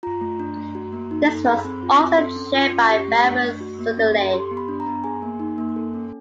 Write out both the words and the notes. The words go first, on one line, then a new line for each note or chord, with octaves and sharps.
This was also chaired by Baron Sudeley.
F4 A#5
A3
D4
A3
F#4
A#3
D#4
A4
G#4 B5
C4
F4
C4
A4 C6
C#4
F4
C#4
G4 C#6
A3
D4
A3
F#4
A#3
C#4
A4
G4 C6
B3
B5
D4
A#5
B3
G#4 G#5
A#3
D#4
A#3
A4
C#4